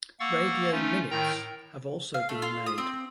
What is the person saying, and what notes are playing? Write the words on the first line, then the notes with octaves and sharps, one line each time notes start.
"Radio minutes" have also been made.
A#3 F5 F#5 C#6 E6 A6
A3 C#4 D#4 F4
A2 D#3 A#4 G5 A#5
F5
A3
F4
D#6
C4